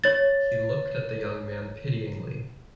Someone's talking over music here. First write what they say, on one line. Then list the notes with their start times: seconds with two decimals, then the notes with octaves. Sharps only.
He looked at the young man pityingly.
0.04 C#5 A6